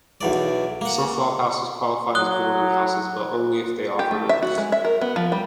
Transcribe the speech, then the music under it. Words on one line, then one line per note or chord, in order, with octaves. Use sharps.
Some flophouses qualify as boarding houses, but only if they offer meals.
B1 E2 D5
A#3 F#5
F#3 D#6 F#6 G7
G4
A3
E5
F#4
G#3
E5
A#4
B3
F3
G3